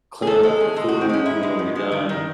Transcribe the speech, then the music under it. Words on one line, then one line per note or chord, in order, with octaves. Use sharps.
clean up f food, you know, when you're done,
G#4
E2 A4
G#3 A4
E2 G#4
G#3 A4
E2 F#4
C4
G#3 C#4
G#2 E4
G#3
G#2
G#3
D#3
D#3